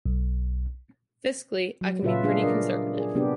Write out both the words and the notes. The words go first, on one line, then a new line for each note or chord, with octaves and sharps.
Fiscally, I can be pretty conservative.
B1
F#3
A#2 C#3 F4 A4 B4 E5
G3 D4 G#4 F5
D4 A#4 D5 D#5
G#4
C3 B3 D4 G4